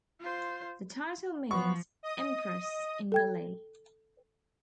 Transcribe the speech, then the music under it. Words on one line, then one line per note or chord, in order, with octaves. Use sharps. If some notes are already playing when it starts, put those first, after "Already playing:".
The title means 'Empress' in Malay.
F4 C5
F3 B3 C#6
D#5 D#6
A4 G5 G#6